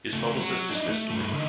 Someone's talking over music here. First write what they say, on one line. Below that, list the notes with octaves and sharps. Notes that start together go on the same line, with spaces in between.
His publicist dismissed the rumor.
C#3 A3
F#3
D4 D#4
A3
G2 A3
D3 D#4